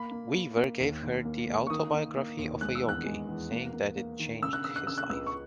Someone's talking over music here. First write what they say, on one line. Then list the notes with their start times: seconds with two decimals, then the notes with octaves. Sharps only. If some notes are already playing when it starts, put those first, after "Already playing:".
Weaver gave her the "Autobiography of a Yogi", saying that it changed his life.
Already playing: A#3 B5
0.11 A#3
0.35 A#3
0.57 A#3
0.80 D#2
1.03 D#2
1.25 A#3
1.48 A#3
1.67 C#6
1.70 D#3 D#6
1.94 A#3
2.16 A#3
2.39 D#2
2.61 G#3 F#6
2.75 E6
2.83 E2
2.89 F#6
3.06 G#3
3.29 E2
3.51 A#3
3.74 A#3
3.96 A#3
4.19 D#3
4.43 C#3 E6
4.53 F#6
4.64 C#3 E6
4.76 F#6
4.87 C#3 E6
4.98 F#6
5.10 C#2 E6
5.27 C#6